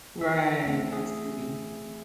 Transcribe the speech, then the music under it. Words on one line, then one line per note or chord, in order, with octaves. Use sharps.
Right, I see.
E3 E5
A3 C4
G#4